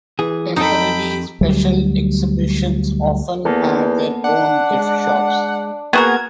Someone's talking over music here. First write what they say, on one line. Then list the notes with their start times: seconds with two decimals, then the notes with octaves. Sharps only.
Temporary special exhibitions often have their own gift shops.
0.19 E3 G#4
0.56 F2 D#4 A4 G5 B5
1.41 D2 F#3 G3
3.45 E2 A#3 B3 A4
4.24 D4 F#5
4.71 G#3
5.93 A#3 B3 F#4 G#4 A#4 G#6